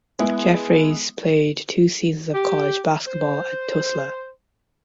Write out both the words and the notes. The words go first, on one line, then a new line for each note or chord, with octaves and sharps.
Jeffries played two seasons of college basketball at Tulsa.
G#3 B3 E4 G#4
G4
C5